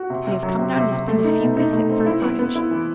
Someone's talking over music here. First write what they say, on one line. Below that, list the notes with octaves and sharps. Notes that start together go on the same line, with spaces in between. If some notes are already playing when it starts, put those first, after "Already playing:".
We have come down to spend a few weeks at Fir Cottage.
Already playing: F#4
C3
C3
F#3
C3
C3
C3
A3
D#4
B2
D#4
A3
C4
E4
B3
B3
E4
E3